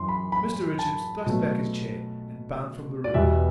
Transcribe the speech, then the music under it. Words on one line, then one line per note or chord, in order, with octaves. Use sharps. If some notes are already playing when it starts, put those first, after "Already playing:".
Mr Richards thrust back his chair and bounded from the room.
Already playing: F#2 E3 C6
B5
B5
A5
B2 F#3 A3
D5
E2 B2 G3 E5